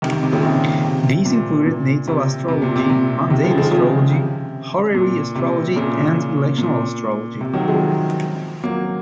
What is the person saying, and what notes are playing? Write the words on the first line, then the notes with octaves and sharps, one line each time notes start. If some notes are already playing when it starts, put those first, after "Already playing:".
These included natal astrology, mundane astrology, horary astrology, and electional astrology.
C3 D#3
C3 D#3
C3
A#2 C#3
C3 D#3
C3
A#2
A#2
C3
C3
A#2
C3
C3
C3 D#3
C#3 F3
F3 G#3
C#3 F3
C3
A#2
C3
A#2 C#3
A#2
C3
D#3 F#3
F3 G#3
F#3 A#3